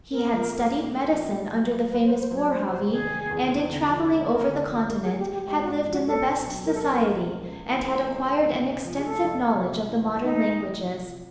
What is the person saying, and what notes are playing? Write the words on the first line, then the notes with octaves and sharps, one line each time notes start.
He had studied medicine under the famous Boerhaave, and, in travelling over the Continent, had lived in the best society, and had acquired an extensive knowledge of the modern languages.
A#2 A#4
F3
A3
A#2
A#2
F3
A2
F#3
B3
A2 B4
C5
A2
C5
F#3 C#5
E2 C5
C3 C5
D#3 G#4
G3
E2
C3
D3
F3
G#3
C#4 A#4
D3
F3
G#2 A#4
G#4
F3
G4
G#3
G4
G#2 G4
F#4
G#2
F3 F#4
C#2 A4
B2
F#3
C#2 A#4
A4
C#2 A#4
B2
C#2
C#3
E3
A3 C5
C#2
C#3
F2
C3
F3
G#4
A3 A4
F2
C3
A2
E3
G3
A#3 D#4
A2
E3
C3
F3